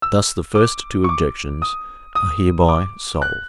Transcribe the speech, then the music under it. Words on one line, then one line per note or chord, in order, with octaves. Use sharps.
Thus the first two objections are hereby solved.
E6
D6
C#6
D6
D#6
D#6
D6
F#6